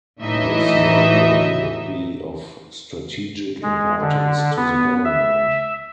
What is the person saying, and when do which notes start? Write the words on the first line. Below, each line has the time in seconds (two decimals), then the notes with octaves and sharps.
This railway would be of strategic importance to the government.
0.21 A2 E3 F#3 D#4 D#5 E5
3.63 G#3
4.01 D3
4.56 B3
5.05 E5